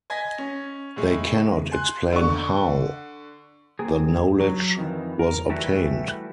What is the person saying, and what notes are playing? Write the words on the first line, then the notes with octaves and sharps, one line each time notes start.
They cannot explain "how" the knowledge was obtained.
D#5 G#5 G#6 A#6 B6
C#4
A2 G#3
G#5 C6 F#6
D3 C#6
A#3 C4 G#4
F#3
F2 D#3 E3
A#4
E3 G3 A3 E4 F#4